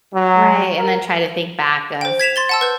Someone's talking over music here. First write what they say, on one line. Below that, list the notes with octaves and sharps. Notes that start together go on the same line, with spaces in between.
Right, and then try to think back of,
F#3
A#4
C5 G5
G#6 B6 E7 F7
C6 A6 G7
F#5 A5 E6
B4 G6